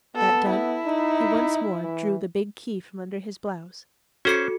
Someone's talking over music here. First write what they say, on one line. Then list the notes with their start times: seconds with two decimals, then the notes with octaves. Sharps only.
That done, he once more drew the big key from under his blouse.
0.16 B3 A4
0.50 E4
0.86 D#4
1.82 E3
4.25 C#4 F#4 A4 C5 C#7